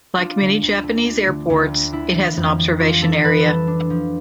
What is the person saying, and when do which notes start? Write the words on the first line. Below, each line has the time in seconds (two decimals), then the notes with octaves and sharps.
Like many Japanese airports, it has an observation area.
0.18 D4 F4
0.41 D3
0.62 D2
0.84 A3
1.06 D4
1.28 D3
1.50 D2
1.72 A3
1.92 D4 E4
2.15 E3
2.36 F2
2.58 G3
2.80 D4 F4
3.02 E3 A4
3.23 F2 B4
3.46 G3 A4
3.67 D4
3.90 F3